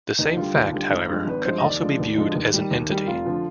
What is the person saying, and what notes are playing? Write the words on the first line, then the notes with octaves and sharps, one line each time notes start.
The same fact, however, could also be viewed as an entity.
D#2 D#4
D3 G3 F4
D#2
D3 G3
G#1
G2 F3 G#3
G#1 B4
G2 F3 G#3 C5
D#5
D#2 D5
D3 F3 G#3
D#2
D3 F3 G#3
D#2
D#3 G3
D#2
D#3 G3
F1 F4
D3 F3